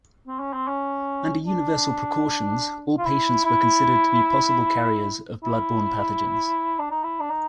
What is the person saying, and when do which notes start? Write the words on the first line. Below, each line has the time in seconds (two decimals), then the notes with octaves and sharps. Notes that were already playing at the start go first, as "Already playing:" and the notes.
Under universal precautions all patients were considered to be possible carriers of blood-borne pathogens.
0.27 C4
0.39 C#4
0.53 C4
0.67 C#4
1.47 D4
2.98 F4
3.05 E4
3.45 E4
5.44 E4
6.79 D4
6.91 D#4
7.03 E4
7.20 D4
7.30 D#4